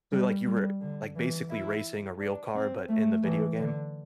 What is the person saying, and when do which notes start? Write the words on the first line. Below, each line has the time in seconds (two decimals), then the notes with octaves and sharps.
so, like, you were, like, basically racing a real car but in the video game,
0.11 G3
0.46 G3
0.81 D3
1.15 E3
1.50 E4
2.19 D4
2.54 C4
2.89 A3
3.23 E3
3.58 D3